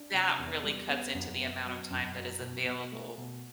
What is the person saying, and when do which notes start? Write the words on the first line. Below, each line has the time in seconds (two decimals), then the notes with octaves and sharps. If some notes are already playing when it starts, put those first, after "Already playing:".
that really cuts into the amount of time that is available
Already playing: D4
0.14 C3
0.38 E2
0.63 G3
0.89 B3
1.15 F#2
1.39 B3
1.66 F#3
1.90 F#2
2.16 F#3
2.41 B2
2.66 B2
2.92 A3
3.18 B2